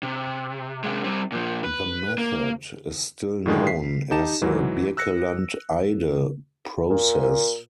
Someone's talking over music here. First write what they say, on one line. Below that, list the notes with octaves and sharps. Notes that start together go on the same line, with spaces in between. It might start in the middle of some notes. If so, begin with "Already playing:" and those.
The method is still known as the Birkeland-Eyde process.
C3
C3 G#3
G3 C4
A#2 F3
B4
A#3
A2 D3 D#3 G#3
B6 C7
D#4 G4 G5 A5 E7
G#2 E3 F#3
E6 F#6 A#6 C#7
A#2